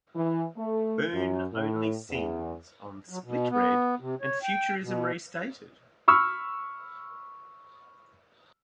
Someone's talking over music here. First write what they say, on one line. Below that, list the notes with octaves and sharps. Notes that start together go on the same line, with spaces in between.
Boon only sings on "Split Red" and "Futurism Restated".
E3
A3
F#2
A2
E2
F#3
B2
B3
C3
C#5
G5
B2
B5 C#6 E6 F6